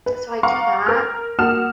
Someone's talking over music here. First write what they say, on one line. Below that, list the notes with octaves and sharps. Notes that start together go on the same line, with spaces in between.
so I do that.
B4
F5 F#5 A#5 C#6 D6
A#4 F6
A#3 F#4 A5 D#6 F6 E7